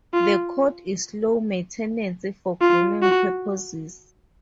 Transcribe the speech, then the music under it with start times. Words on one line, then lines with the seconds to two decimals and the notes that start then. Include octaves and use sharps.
The coat is low maintenance for grooming purposes.
0.14 F4
2.61 F4
3.02 F#4